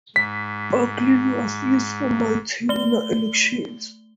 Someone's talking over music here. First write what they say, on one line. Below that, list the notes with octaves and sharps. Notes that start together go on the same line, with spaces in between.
Bucklin was used for multiwinner elections.
G#2 B6
A3 G7